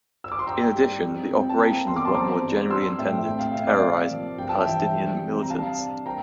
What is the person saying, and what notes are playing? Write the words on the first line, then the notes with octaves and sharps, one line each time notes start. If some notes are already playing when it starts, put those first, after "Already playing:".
In addition, the operations were more generally intended to terrorize Palestinian militants.
E6
D6
C6
G2 G5 A#5
G3
F2
F2
G5
A5
A#3 G5 A#5
E2 C6
D6
A5 C6
C4 A#5 D6
G2
D4 C6 E6
A2 E5 G5
C3 G5
F5
C3 E5
D5 F5
A#3
F3
G2 G5
A5
E5 G5
E3
G3
C3
A#5
D4 F5 A5
D4
A#3 G5 A#5